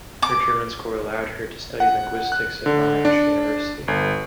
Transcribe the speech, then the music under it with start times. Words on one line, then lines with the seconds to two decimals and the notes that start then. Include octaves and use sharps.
Her German score allowed her to study linguistics at Monash University.
0.22 D6
1.80 F#5
2.32 F#6
2.66 D3
3.05 D4
3.88 G1